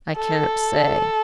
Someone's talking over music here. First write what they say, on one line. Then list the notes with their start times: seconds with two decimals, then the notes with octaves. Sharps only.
"I can't say."
0.17 A4